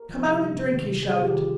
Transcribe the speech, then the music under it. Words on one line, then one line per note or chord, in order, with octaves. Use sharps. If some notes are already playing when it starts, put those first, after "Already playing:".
"Come out and drink," he shouted.
Already playing: A#4
F3
C3
G3
C3
D#3
C3
G3 G#4
C3 G4
D#3 F4